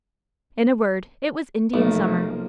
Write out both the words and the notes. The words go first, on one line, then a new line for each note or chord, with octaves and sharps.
In a word, it was Indian summer.
B1 C3 F3 A3 A#3